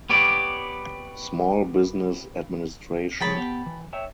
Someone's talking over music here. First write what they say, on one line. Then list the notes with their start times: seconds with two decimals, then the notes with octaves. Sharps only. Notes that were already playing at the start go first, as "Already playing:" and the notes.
Small Business Administration.
0.10 B3 G4 C#5 D5
3.21 F3 G#4 C#5 G5 A5 B5
3.37 B3 G4
3.66 E3
3.93 C#5 E5 G5